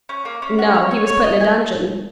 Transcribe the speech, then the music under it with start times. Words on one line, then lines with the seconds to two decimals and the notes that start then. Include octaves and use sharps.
"No; he was put in a dungeon."
0.09 C#4
0.25 A#3
0.42 C#4
0.59 F#4
0.74 C#5
0.91 C#5
1.07 C#5
1.24 D#5
1.40 G#5